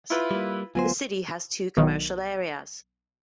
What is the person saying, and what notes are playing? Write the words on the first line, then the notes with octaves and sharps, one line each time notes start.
The city has two commercial areas.
E4 F4 B4
G3 A#3
D2 F#3 B3 F4 C5 G#5
B1 D#3